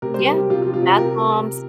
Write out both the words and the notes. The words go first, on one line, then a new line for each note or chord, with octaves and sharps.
Yeah, bath bombs
C3 A#4
G3 C5
A#4
C3 G4
C3 F4
F4
F3
F4
C3 G4
C3 A#4